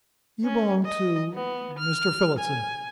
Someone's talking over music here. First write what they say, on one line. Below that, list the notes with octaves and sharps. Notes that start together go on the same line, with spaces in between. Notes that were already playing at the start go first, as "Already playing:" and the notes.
You belong to--Mr. Phillotson.
C#4
D#5
B3
F6
G#5